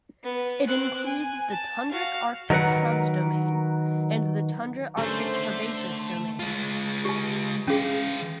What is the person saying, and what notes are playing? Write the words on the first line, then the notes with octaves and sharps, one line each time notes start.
It includes the tundra arctic shrubs domain and the tundra arctic herbaceous domain.
B3
C4 F#6
G#5
A5
F#4 F5
D#3 F#3 A#4 B4 F#5
D3 A3 C#4 A4 A#4 C5
G#3 F4
G4 A5
E3 C#4 G#4 F5